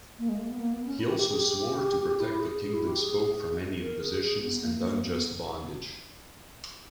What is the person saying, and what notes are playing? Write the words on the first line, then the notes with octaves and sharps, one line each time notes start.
He also swore to "protect the Kingdom's folk from any impositions and unjust bondage".
A#3
G#3
A#3
B3
A#3
B3
C#4
E4
G4
G4
G#4
G4
E4
G#4
G#4
E4
G4
G#4
A#4
G#4
G#4
B3
A#3
A#3
A#3
B3